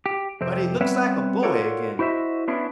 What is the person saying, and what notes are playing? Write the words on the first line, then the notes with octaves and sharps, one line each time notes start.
But he looks like a boy again!
G4
F2 C3 C4
G3 B3 C4 B4 C#5 E5
F4 F#4 A4 A#4 C#5 D5
E4 F#4 C5 D#5 E5
B3 C#4 D4 E4